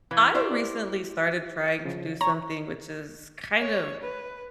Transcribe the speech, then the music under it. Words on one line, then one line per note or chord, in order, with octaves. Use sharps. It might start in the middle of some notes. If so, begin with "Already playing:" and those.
I recently started trying to do something which is kind of
E3 B4 F5 G#6
E4 G4 C5 D5
C#3 F3
C#5 A#5
C#5
B4